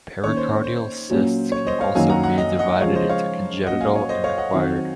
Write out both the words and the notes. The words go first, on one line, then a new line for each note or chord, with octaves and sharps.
Pericardial cysts can also be divided into congenital and acquired.
D#3 A#3 C#4 C#5
C5
C5
A#2 F#3 A#3 C#4 F4
C#5
C5 D#5
C#5 F5
F#2 D#3 F#3 A#3 F5 G#5
F#5 A#5
F#5 A#5
D#5 F#5
D#5 F#5
C#3 F3 G#3 C#5 F5
C5 D#5
C#5 F5
A#2 F#3 C#4 D#5 F#5
F5 G#5
C#5
C5 D#5
C#5 F5
D#5 F#5
D#3 F#3 C4